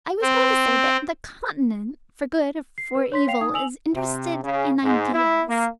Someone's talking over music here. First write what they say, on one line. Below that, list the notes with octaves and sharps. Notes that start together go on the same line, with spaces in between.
I was going to say that the Continent, for good or for evil, is interested in ideas.
C4
C7
B4
C#5 C6 B6
F5 G5 C7 F7
D#4 D#6
G#5 E6 F7 F#7
C3
C#3
G#2
E4
A#3